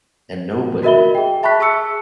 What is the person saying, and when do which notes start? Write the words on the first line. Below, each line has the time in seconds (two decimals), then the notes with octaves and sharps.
And nobody
0.83 F#4 A#4 D#5 E5 B5 G7
1.15 G#4 G5
1.43 E5 A5 B5 C#6 F#6 B6
1.60 G#4 A5 C#6 E6 C#7